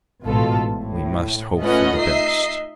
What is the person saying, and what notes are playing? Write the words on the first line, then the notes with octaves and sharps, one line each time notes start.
"We must hope for the best."
A1 G#2 B2 F4 A4
A2
A3 C#4 F4 B4 D#5 F#5
D#4 D#5 E5 C7